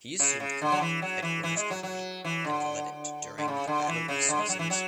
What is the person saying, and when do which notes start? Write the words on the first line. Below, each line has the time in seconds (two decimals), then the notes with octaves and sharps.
He assumed command of Headquarters Company and led it during the Battle of Soissons.
0.19 C#3
0.40 C#3
0.61 D3
0.72 F#3
0.81 E3
1.02 F#3
1.22 E3
1.43 E3
1.57 G#3
1.70 F#3
1.83 F#3
2.24 E3
2.45 D3
3.38 D3
3.48 C#3
3.67 D3
3.88 E3
4.08 C#3
4.29 D3
4.38 G#3
4.49 F#3
4.59 E3
4.70 F#3